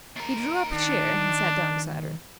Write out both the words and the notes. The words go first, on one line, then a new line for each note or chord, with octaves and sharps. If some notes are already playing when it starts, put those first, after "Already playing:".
He drew up a chair and sat down beside her.
D#2 A#4
D#3 D4